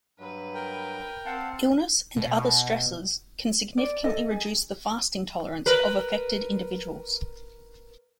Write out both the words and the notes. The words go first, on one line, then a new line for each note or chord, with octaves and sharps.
Illnesses and other stresses can significantly reduce the fasting tolerance of affected individuals.
G2 F#3 B4
A#4 G5
C4 F5 F#5 A5
B2
D5
A4 D#5
G#4
A#4 B4